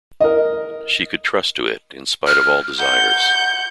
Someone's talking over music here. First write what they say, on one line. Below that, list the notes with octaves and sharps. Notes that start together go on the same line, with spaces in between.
She could trust to it, in spite of all desires.
A#4 D#5
F6
F#5 G6